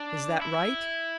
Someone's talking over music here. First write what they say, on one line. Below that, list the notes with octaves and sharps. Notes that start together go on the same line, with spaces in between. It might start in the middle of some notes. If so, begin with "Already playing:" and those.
Is that right?
Already playing: D4
E4